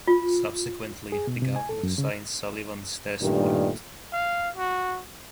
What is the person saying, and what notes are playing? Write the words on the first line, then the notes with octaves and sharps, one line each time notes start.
Subsequently, the governor signs Sullivan's death warrant.
F4
G#4
B2
C3
G#5
A4
F#2
C#3
G2 A#2 D#3 G3 A3
F5
F#4